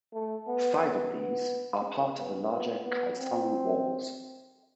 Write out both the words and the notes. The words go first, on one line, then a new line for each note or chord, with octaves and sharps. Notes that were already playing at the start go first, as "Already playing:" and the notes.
Five of these are part of the larger Kaesong Walls.
A3
B3
B3
B3
B3
B3
B3
C4